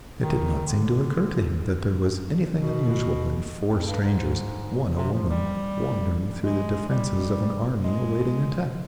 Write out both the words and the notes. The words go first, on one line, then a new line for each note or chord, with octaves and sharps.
It did not seem to occur to him that there was anything unusual in four strangers, one a woman, wandering through the defences of an army awaiting attack.
D#3
D3
B2
F2
G2
G#2
C3
F3
G3
G#3
G3
G#3